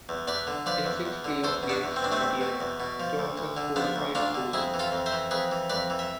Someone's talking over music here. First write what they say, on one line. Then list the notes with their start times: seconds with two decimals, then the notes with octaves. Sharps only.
In six playoff games that year, Johnson scored five goals.
0.09 E2
0.27 E2 B4 D5
0.47 D3
0.66 F3 B4 D5
0.85 E2
1.05 E2
1.24 D3
1.44 E2 A4 C5
1.63 B2
1.69 B3 D4
1.83 E2
1.96 C4
2.02 B2 D4
2.12 A3 C4
2.22 E2
2.41 B2
2.60 E2
2.80 B2
3.00 F3
3.19 D2
3.38 D2
3.57 D3
3.76 F3 B3 D4
3.96 D2
4.15 D2 D4 F4
4.35 D3
4.53 F2 E4 G#4
4.74 E3
4.79 F4 A4
4.92 F2
5.06 C5 E5
5.13 E3
5.31 F2 G#4 B4
5.52 E3
5.70 F2 B4 D5
5.90 E3
5.99 E5